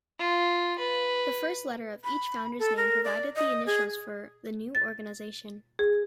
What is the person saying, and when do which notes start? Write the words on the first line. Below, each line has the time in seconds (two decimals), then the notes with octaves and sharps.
The first letter of each founder's name provided the initials for the new organization.
0.20 F4
0.79 B4
2.04 B5
2.59 A4
2.77 A#4
3.04 D5
3.36 D#5
3.67 G#4
4.75 A6
5.79 G#4